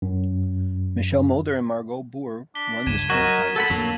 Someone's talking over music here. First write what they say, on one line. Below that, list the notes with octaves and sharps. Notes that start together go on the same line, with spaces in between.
Michel Mulder and Margot Boer won the sprint titles.
F#2
D4 B6 G7
C#2 G2 G3 G#6 D#7 E7
F#3 F#4 A#4 D#5 G#6 A#6 E7
A4 F#5 B5
F2 A2 D3 F#3 A#3 A4 F#7